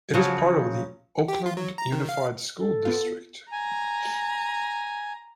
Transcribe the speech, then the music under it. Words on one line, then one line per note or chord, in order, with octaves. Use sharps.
It is part of the Oakland Unified School District.
C#3 F3 F#3
G4
F4
F#3
A#5
D#3
F5
A4
B3 F4
G#5 A#5